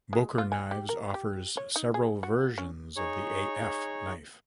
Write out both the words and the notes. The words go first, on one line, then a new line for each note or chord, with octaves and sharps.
Boker Knives offers several versions of the A-F knife.
G#3
F4
G#5
G4
A#4
G4
C#5
D#4
G#4
F#4
C#4
D#4 G#4 C#5 C#6